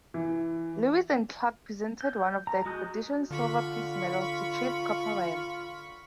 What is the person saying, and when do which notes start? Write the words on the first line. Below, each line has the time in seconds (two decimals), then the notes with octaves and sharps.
Lewis and Clark presented one of the expedition's silver peace medals to Chief Kepowhan.
0.14 E3
2.01 G6
2.47 A#5
2.65 G#3 F#4 D#6 F#6 G6
3.31 D3 F4 B5 C#6